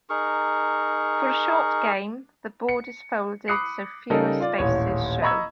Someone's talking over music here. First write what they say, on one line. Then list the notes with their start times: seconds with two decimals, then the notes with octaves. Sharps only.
For a short game, the board is folded so fewer spaces show.
0.10 D#4 G#4 A#4 C#6
2.69 C#7
3.48 B5 D6 D#6 F#6 C7 C#7
4.10 C#3 G3 D#4 A4 A#4
4.40 F4 D5
4.58 D#1 A1 C#5
5.22 D#5 A#5 B5 C#6 E6 G#6